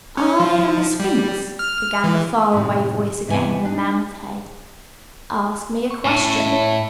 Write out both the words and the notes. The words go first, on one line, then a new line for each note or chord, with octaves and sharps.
"I am the Sphinx," began the far-away voice again in the mammoth head. "Ask me a question."
C#4
F3
G3
F6
E3
F#2 A2 C3 D#3
D#2 C3 E3 B3 G#5
D4 D#4
C#6
A2 C#4
C#5